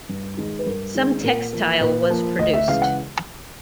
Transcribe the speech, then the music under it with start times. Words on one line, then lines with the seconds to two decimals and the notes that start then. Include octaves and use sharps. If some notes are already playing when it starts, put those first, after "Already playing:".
Some textile was produced.
0.09 G2
0.37 D#3 G#3
0.59 B4
0.66 G2 A#4
0.95 D#3 G#3
1.24 A#2 A#4
1.53 F3 A#3
1.81 A#2 B4
2.10 F3 A#3
2.39 D2 D#5
2.53 E5
2.67 C#3 E3 G#3 F5
2.82 F#5